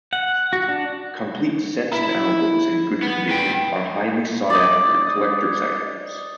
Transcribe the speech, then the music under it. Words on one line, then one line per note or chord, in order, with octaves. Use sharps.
Complete sets and albums in good condition are highly sought-after collectors' items.
F#5
F#4
D4
E4
B3
B4 G5
D5 D#5